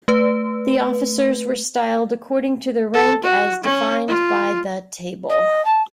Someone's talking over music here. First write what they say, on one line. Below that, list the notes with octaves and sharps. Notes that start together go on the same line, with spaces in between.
The officers were styled according to their rank as defined by the Table.
A3 B4
A4
F#4
C#4
F4
D#5
A5